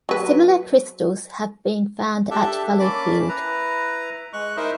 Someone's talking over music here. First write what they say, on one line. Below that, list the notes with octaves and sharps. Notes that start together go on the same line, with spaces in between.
Similar crystals have been found at Fallowfield.
F#3 B4
D4 G4 A4 E5
A#3 C#4 A5 B5 D6
E4 B4 A#5
G#3 C#6 F#6
D#4 E4 A#4 C5 D#5 E5